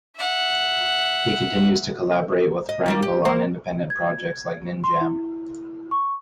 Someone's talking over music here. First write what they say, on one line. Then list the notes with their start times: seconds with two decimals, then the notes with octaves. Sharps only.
He continues to collaborate with Frankel on independent projects like Ninjam.
0.17 E5 F#5
2.69 D#5
2.86 D#3 G3 A#3
3.02 G4
3.25 A#3 C5
3.90 G#6
4.84 C6
5.01 E4
5.91 C#6